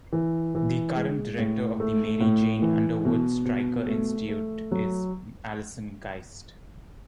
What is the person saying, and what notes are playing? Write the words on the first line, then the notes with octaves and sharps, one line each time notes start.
The current director of the Mary Jane Underwood Stryker Institute is Alison Geist.
E3
E3
G#3
A2
A3
A2
E3
B2
B2
A3
A3
F#3